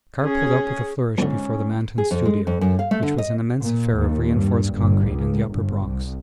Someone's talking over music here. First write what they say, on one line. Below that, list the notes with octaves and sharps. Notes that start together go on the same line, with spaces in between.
The car pulled up with a flourish before the Manton studio, which was an immense affair of reinforced concrete in the upper Bronx.
C#4 G#4
F2 G#2 D3 C#4
G#4
F2
G#3
F2
F#2
F5
A3
D3
D#5
A#2
D#2
G2
G1
C#2
G1
C2